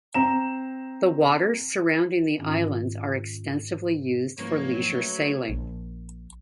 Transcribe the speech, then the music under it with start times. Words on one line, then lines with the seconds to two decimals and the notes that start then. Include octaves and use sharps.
The waters surrounding the islands are extensively used for leisure sailing.
0.14 C4 A#5 E7
2.38 G#2 D#3 C#4 F4
4.39 F#1 G#2 F3 A#3 B4 C#5
4.74 F#3
4.93 A3 C#4 B4
5.49 A#1